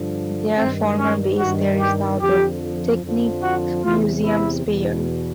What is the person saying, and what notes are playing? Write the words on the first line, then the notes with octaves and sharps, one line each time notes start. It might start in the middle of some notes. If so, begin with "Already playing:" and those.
Their former base there is now the Technikmuseum Speyer.
Already playing: G2 D3 F3
G2 D#3 C4
C#4
G2 D#3 F#4
G4
F2 D3 F3 G4
F2 D3 F3
F#4
E2 C3 E3 F4
E4
E2 B2